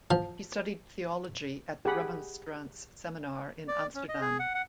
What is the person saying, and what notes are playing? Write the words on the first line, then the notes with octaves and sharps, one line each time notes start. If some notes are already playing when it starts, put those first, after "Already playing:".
He studied theology at the remonstrants seminar in Amsterdam.
F3
G4 G#4 F#5 B5
D5
C#4
D#5
G#4
F#5
F#5